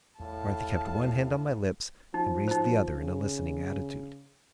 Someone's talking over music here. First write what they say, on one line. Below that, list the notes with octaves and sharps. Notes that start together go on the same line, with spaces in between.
Martha kept one hand on my lips, and raised the other in a listening attitude.
E2 A2 F5 A5
F3 D#4
D#4 C5
C#3